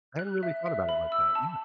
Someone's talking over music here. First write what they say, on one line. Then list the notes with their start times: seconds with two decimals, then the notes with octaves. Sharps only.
I hadn't really thought about it like that. Yeah.
0.19 F#6
0.43 E5
0.66 E5
0.89 B5
1.12 E6
1.35 A5